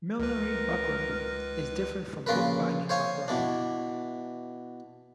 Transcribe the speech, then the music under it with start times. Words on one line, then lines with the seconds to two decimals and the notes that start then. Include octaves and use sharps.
Millinery buckram is different from bookbinding buckram.
0.19 C#2 A#4 B4
2.27 A#1 C#3 F4 A#4 B4
2.89 C5 C#5 F5 G#5
3.28 B2 E3 D4